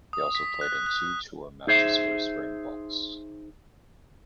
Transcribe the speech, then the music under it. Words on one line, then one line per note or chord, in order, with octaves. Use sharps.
He also played in two tour matches for the Springboks.
D#6
B6
F#6
F#6
D#4 G#4 C5 E5